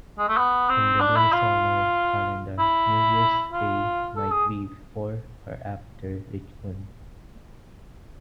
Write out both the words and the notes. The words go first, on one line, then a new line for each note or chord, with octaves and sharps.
In the lunisolar calendar, New Year's Day might be before or after Lichun.
G#3
A3
B3
C4
D4
E4
F4
E4
F4
A4
G#4